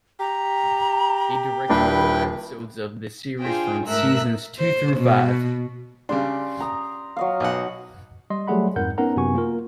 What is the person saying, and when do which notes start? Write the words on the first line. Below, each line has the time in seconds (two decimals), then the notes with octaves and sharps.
He directed four episodes of the series from seasons two through five.
0.20 G4 A#5
1.69 D#1 D4 E4 B4 G5
3.40 D4 F4 G#4 C5 G5
3.85 G#2 A3 A#4 E5 E6 F#6
4.58 C5
4.96 B2
6.09 C#3 G3 D4 C6
6.61 A#5 D#6
7.17 F#3 D#5 F5
7.40 B1 F#5
8.30 G3 D#5 C6
8.47 F#3 G3 A3 G#4 F#5 B5
8.76 F2 G#2 A#4 F#5 G6
8.98 B3 C#4 D#4 A#4 F#5 A#5
9.16 F#2 C3 B3 F#4 G#5 C#6
9.35 A#3 F4 A#4